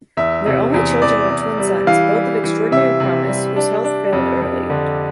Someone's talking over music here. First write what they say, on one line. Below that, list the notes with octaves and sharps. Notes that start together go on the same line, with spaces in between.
Their only children were twin sons, both of extraordinary promise, whose health failed early.
E2 E5
C3
E2
E2 D5
E2
G3
E3 F5
G3
E3
C3 E5
C3
G3
D4
D4
F2
F2
D3